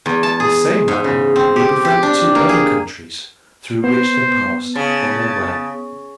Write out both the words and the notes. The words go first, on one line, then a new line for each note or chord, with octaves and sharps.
In the same manner he befriended two other countries through which they passed on their way.
E2
A5
G#4
G#2
C#3
C4
G4
G4
D4
A#3
G#4
B3 C5
C#3 A5